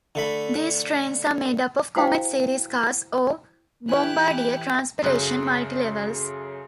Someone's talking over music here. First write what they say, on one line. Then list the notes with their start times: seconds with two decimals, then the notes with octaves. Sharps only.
These trains are made up of Comet series cars or Bombardier Transportation Multilevels.
0.15 D3 A3 B5
1.96 E4 F#4 C5 F5 G5
3.88 E3 E4 G4 G#5 F#6
5.02 F#2 C#3 G#4 A4 F#6